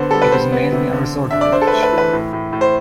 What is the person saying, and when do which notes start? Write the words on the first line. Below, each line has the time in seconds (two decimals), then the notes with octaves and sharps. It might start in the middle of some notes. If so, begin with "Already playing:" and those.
It is mainly a resort village.
Already playing: D3 B3 C5
0.11 G3 A4
0.22 B4
0.32 B3 C5
0.52 B3
0.72 C3
0.93 D3
1.12 D3
1.31 D4 E5
1.41 D5
1.52 D4 C5
1.62 A4
1.67 A3 B4
1.83 B4
1.92 E3
1.98 B4
2.13 A2
2.33 A2
2.53 A2
2.61 C5